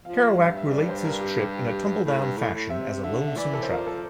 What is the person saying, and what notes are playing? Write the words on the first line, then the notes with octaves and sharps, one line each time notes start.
Kerouac relates his trip in a tumbledown fashion as a lonesome traveler.
F3 F5
G2 E5
F5
E5
D5
C5
A#4
G4
G4
G4
A2
G2
A2
A2
C3 E5
D3 E5
E5
E3 D5
A4
C5
F3 A#4
A4